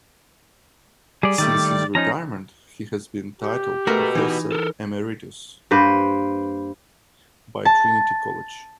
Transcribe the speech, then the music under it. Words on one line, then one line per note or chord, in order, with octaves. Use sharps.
Since his retirement he has been titled "Professor Emeritus" by Trinity College.
G3 G#4 D5
D#3 G3 A3 D5
F3 C#4 D#4 A#5
G4
A3 F#4 A#4 B4
E3 D#4
A4 A#4
G2 A#3 B4 C5
A5